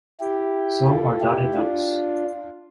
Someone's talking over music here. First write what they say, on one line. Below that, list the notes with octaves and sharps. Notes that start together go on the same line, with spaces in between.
So are dotted notes.
E4 G4
F4 A4
E4 G4
D4 F4